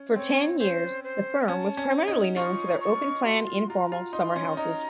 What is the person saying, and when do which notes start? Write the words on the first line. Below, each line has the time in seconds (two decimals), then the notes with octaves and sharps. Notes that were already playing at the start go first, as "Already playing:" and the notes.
For ten years, the firm was primarily known for their open-plan informal summer houses.
Already playing: C#4
0.16 C4 C#5
0.59 C#4 C5
1.04 C5
1.48 C#4 A5
1.77 C#4
2.08 D#4
2.37 F4 C#6
2.81 C#6
3.24 F#4 C6
3.47 F4
3.69 F4 A#5
3.92 F4
4.13 D#4 C6
4.36 C#4
4.57 D#4 A#5